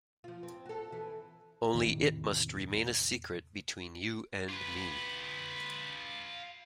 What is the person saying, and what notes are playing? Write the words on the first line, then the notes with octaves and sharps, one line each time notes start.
Only it must remain a secret between you and me.
F3 F4
C4
F#4 A4
E3
E2 A2 C3 D#3 E3
F4 B4